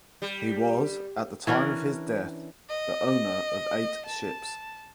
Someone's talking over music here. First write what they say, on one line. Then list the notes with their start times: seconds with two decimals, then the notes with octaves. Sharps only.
He was at the time of his death the owner of eight ships.
0.22 G3
1.47 E3 C#4 D4 A#4
2.69 D#5
4.06 A5